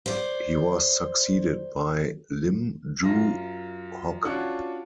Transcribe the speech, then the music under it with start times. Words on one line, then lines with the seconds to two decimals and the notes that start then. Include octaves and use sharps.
He was succeeded by Lim Yew Hock.
0.06 C5 D5
3.03 F#2 F4 A#6
4.25 C#4 D4 F4 F#4 F#5